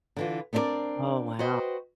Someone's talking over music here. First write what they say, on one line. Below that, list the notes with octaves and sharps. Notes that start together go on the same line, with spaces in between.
Oh wow.
D3 E3 F4
B3 C4 D4 E4 A#4 D5
F#4 B4 C5 D#5 G5